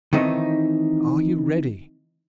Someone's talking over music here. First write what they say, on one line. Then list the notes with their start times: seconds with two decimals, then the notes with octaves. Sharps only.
Are you ready?
0.13 D#3 E3 A3 C4 D#4